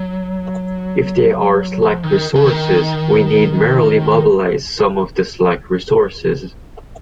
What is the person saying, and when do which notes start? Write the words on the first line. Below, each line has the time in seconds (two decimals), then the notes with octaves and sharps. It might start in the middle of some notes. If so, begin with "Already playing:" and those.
If there are slack resources, we need merely mobilize some of the slack resources.
Already playing: F#3
1.82 F3
2.03 D#3
2.36 C#3
2.44 D#3